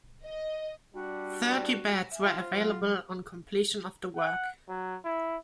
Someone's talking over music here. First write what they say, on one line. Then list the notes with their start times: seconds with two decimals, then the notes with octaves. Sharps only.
Thirty beds were available on completion of the work.
0.25 D#5
0.94 G3 D4 F#4
2.12 E5 G#5
2.25 F4
2.39 F4 C5
2.57 F#3
4.16 F#5
4.69 F#3
5.04 E4